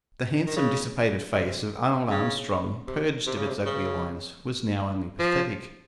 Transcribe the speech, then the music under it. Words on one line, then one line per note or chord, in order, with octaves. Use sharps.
The handsome, dissipated face of Arnold Armstrong, purged of its ugly lines, was now only pathetic.
D#3
C#3
C3
C#3
C3
C3
C#3
C3
C#3
F3